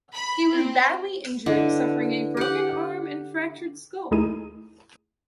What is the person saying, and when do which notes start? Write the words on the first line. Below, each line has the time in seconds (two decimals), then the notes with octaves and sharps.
He was badly injured, suffering a broken arm and fractured skull.
0.13 B5
0.52 C4
1.46 D3 E4 B4 D#5
2.37 G4 F#5
4.11 D#2 A3 D#4 E4 G#4 D#7